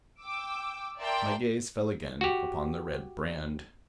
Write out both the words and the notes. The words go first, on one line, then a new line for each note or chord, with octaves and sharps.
My gaze fell again upon the red brand.
G5 D6 E6
A#4 D5 E5 G5 A5 C6
F#4 G4